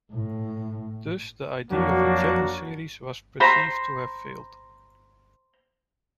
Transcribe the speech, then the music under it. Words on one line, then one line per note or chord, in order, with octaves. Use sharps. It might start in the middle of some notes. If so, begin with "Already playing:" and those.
Thus the idea of a Challenge Series was perceived to have failed.
A2
F2 F#3 A#3 D4 F#4
C5 A#5 B5